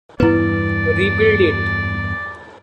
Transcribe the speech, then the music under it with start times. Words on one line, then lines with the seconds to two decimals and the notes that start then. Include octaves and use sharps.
Rebuild it!
0.20 E2 G2 B3 E4 B4 D5